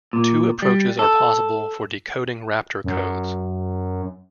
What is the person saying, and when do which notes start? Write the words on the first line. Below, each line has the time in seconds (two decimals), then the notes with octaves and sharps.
Two approaches are possible for decoding raptor codes.
0.13 A#2
0.62 G3
0.99 A4
2.84 F#2